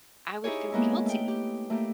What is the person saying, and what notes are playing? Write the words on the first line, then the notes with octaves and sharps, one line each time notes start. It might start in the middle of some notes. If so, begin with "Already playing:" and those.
I would feel guilty
D#4 E4 G4 G#4 C#5
G#3 A#3 B3 D#4 E4
A3 G5
G4
A3 A#3 E4 G4